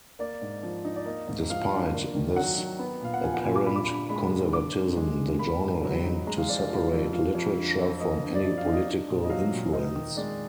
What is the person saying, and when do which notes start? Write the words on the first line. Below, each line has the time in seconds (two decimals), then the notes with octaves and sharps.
Despite this apparent conservatism, the journal aimed to separate literature from any political influence.
0.19 A#3 D5
0.41 G#2
0.63 F3
0.85 D#4
0.96 D5
1.06 A#3 D#5
1.28 G#2
1.49 F3 F5
1.71 D4
1.93 A#3
2.15 D#3
2.36 F#3 F#5
2.58 D#3
2.79 B3
3.01 A#2 F5
3.14 F#5
3.23 F3 G#5
3.34 F#5
3.45 A#2 G#5
3.56 D6
3.66 D4 B5
3.76 D6
3.86 D3 B5
4.09 G#3 B5
4.32 D3
4.53 D4 D6
4.75 D3
4.96 G#3
5.18 D3
5.39 A#3 B5
5.61 G#2
5.83 F#3
6.05 D#4
6.27 G#3 A#5
6.38 F5
6.48 F2 D5
6.70 F3 F5
6.92 F2
7.13 F3 F5
7.35 F2
7.57 D3
7.79 F2
8.00 A#3 D#5
8.22 D3
8.35 D5
8.44 F3 D#5
8.58 F5
8.65 D#4
8.72 D#5
8.87 D4
9.09 A#2
9.24 D#5
9.30 F#3 F5
9.52 A#2
9.73 D#4 D#5
9.95 D#3
10.17 G#3 D5